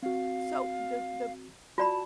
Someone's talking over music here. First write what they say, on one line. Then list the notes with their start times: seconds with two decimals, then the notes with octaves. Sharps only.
So, the the
0.03 C4 F#4 F5
1.78 F4 F#4 D5 A5 B5